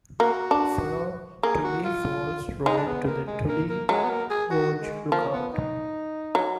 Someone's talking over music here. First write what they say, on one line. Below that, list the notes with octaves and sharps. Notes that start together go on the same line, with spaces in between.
Follow Tully Falls Road to the Tully Gorge Lookout.
A#3 F#4
D4
A#3 G#4
F#4
F4
G#3 D#4
D4
B3
A#3
G#3
A#3
A#3
F#3 G#3
B3
A#3
G#4
F#4
G#3
F3 A#3
B3
D#4
F#3